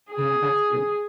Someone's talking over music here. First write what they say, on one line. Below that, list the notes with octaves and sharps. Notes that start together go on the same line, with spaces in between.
Yeah, that's good.
G#4